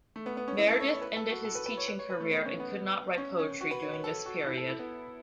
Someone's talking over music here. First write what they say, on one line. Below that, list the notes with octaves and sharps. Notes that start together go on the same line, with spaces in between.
Meredith ended his teaching career and could not write poetry during this period.
A3
B3
B3
C#4
E4
A4
C#5
C#5
B4
A4
F#4
A4
B4
B4
C#5
B4
C#5
B4
A3
B3
C#4
B3
C#4
C#4
F#4
B4
C#5
B4
A4
F#4
E4
A4
E4
B3